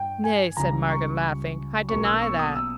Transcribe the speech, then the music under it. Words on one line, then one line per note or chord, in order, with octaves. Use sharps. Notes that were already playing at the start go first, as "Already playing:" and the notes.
'Nay,' said Margaret, laughing, 'I deny that.
Already playing: G2 G5
G#5
C#2 C#3 G3 A#5
C#6
B1 B2 A#3 C#4 C#6
E6
C#6
D#6
E6